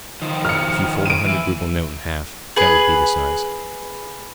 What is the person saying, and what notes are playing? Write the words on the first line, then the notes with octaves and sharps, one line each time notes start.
"If you fold a hundred-rouble note in half, that would be the size."
D#3 F3
F6 C#7
D7 D#7
E3 E5
G#4 B4